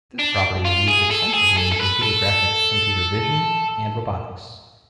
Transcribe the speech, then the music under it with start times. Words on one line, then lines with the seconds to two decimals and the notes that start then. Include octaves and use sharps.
This property is used extensively in computer graphics, computer vision and robotics.
0.19 D4
0.65 F4
0.88 G#4
1.11 A4
1.34 G#4
1.57 A4
1.72 A4
1.80 B4
2.02 A4